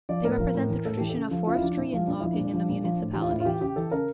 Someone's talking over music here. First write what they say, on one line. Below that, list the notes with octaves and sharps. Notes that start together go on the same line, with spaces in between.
They represent the tradition of forestry and logging in the municipality.
F3 D5
A2 A#4
F3
A2
E3
A2 A4
E3 G4
A4
C#3
F3
C#3 F4
E4
F3 D4
A#2 E4
F3 F4
A#2 D4
F3 E4
D4
A#2
F3
A#2
F3
A2
E3 G4
F4
A2 E4
F4
E3 G4
C#3 G4
E3 A4
C#3 A#4